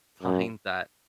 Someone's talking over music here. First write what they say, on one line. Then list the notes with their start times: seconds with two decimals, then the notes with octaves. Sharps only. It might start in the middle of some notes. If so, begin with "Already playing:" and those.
find that,
0.23 F#2